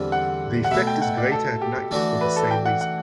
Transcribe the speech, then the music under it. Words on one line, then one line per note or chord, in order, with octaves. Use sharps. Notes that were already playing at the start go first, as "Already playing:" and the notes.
The effect is greater at night for the same reason.
Already playing: E2 D3 G3 C4 E4
F#5
F#5
B2 A3 E4 E5
G5
F#5
D5
A4
G4
E3 A3 D4 F#4
B4
A4
G5
F#5
F#5